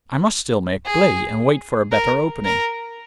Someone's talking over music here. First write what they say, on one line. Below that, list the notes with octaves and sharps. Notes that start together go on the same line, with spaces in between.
I must still make play and wait for a better opening.
G#4
A#4
A#4